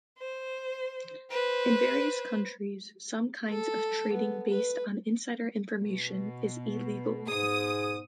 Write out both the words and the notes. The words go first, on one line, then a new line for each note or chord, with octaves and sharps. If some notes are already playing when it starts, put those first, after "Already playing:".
In various countries, some kinds of trading based on insider information is illegal.
C5
B4 C5
A4
B3
B4
B2
G#2 G#4 D#6